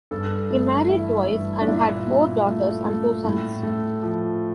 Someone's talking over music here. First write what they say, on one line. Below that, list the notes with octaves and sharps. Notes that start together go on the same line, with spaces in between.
He married twice and had four daughters and two sons.
G2 A4
A3
E3 E4
G2
D4
A#2 E4
A#2
A3
A3
A2
A3
F3